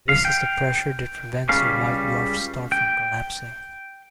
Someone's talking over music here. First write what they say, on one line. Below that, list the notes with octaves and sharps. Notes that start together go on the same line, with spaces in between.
This is the pressure that prevents a white dwarf star from collapsing.
F5
G5
C#2 C#3 G3 A#3 C#4 F5
G5